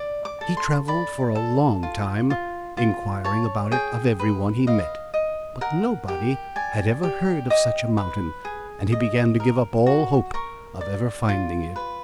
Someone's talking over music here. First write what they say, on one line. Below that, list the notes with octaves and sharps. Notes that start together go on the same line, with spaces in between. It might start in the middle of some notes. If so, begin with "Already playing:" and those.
He travelled for a long time, inquiring about it of every one he met; but nobody had ever heard of such a mountain; and he began to give up all hope of ever finding it.
Already playing: D5
D6
A4
C6
D5 B5
A4
F4
F4
F4
C#5 A5
G#4 G5
B4
D#5 F5
D#5
A#4 F#5
G4
D5 G#5
G4
D#5 D6
B4
G#4
D#5
A#4
F#4
A#4 C#6
D5
F4
B4